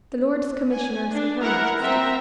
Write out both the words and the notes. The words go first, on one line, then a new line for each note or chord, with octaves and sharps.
"The Lords Commissioners of her Majesty."
G#5
D4
E4 A#4 F#5 A#5
C4 E5 A#5